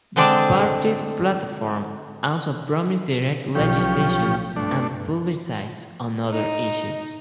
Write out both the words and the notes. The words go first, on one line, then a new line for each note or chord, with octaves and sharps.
The party's platform also promised direct legislation and plebiscites on other issues.
D3 G#3 C4 D4 D5 A5
B1 F3 C#4 G4
G2 A3 D4
D#4